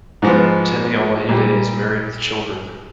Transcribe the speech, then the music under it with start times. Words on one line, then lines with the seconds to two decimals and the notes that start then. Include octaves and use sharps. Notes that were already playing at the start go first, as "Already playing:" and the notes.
Temi Olajide is married with children.
0.22 G#2 F3 B3
1.29 A#2 G3